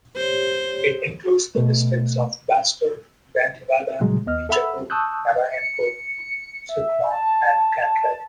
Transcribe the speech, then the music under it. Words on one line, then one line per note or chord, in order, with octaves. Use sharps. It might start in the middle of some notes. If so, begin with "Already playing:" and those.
It includes the districts of Bastar, Dantewada, Bijapur, Narayanpur, Sukma and Kanker.
G4 C5 C#5
B2 A3
A#2 C#3 F#3 G#3
D#2 B3 D#5 F6
A4 E5 F#5 B5 E6
A5 C#6 D#6 E6 F#6 G6
C#7
E5
A5